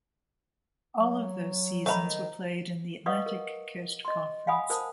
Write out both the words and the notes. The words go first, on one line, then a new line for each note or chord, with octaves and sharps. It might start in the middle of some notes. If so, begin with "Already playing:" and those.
All of those seasons were played in the Atlantic Coast Conference.
F#3
D#3 A3 C5 F#5 A#5 B5
B4 D#5 F5 F#5 C#6 D#6
A#4
D#5 C6
F5 F#5 G#5 B5 D#6
A#4 C5 A5 D#6